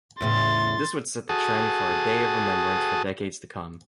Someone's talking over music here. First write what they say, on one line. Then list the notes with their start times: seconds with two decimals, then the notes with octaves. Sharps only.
This would set the trend for a day of Remembrance for decades to come.
0.21 E2 A2 C#3 C6 A6
1.29 F#4 G#4 A4 A5 D#6